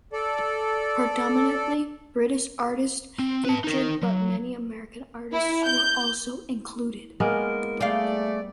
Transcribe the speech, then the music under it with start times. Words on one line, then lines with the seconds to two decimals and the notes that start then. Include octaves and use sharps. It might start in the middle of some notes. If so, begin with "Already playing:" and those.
Predominantly British artists featured, but many American artists were also included.
0.13 A4 D5
3.19 C4
3.45 B4 A5
3.64 D#4 A#4
4.03 F#3
5.33 E4
5.66 G6
7.20 G#3 A#3 B3 A#4
7.81 G3 A3 G#4 D5 F5 G5